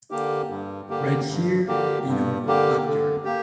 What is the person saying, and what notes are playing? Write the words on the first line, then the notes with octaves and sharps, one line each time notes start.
Right here in our backyard.
D3 A#3 G4
G2
D3 A#3 G4
G2
D3 A#3 G4
G2
D3 A#3 G4
D3
A#3 G4